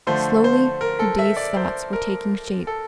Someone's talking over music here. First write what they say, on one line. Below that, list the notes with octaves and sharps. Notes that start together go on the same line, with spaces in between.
Slowly her dazed thoughts were taking shape.
D3 F3 A3 C5
C5
A#4
A4
E5
D5
C5
A#4
A4